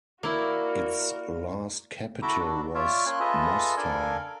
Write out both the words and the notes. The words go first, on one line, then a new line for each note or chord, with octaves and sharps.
Its last capital was Mostar.
A#3 E4 F#4 A#4 D5
E4 F#4 A4 E5 A#5 D6
D4 F#4
F4 C#5 D5 E5 F5
A#3 C#4 G#5 C6 F#6
F4 G#4 A4 B4 D#5 E5
D4 A4 A#4 D5 F5 G#5